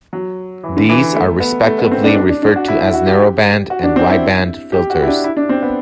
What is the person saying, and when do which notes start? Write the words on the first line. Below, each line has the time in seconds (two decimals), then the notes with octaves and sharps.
These are respectively referred to as "narrow-band" and "wide-band" filters.
0.13 F#3
0.64 E3
0.77 D3
0.89 E3
1.15 A3
1.40 B3
1.66 A3
1.79 B3
1.91 C4
2.04 D4
2.17 D4
2.29 D4
2.43 D4
2.56 F#4
2.68 E4
2.81 E4
2.94 F#4
3.06 G4
3.70 F#4
3.83 D4
3.96 C4
4.09 E4
4.72 G4
4.90 F#4
5.02 E4
5.07 D4
5.24 E4
5.37 D4
5.49 C4
5.62 B3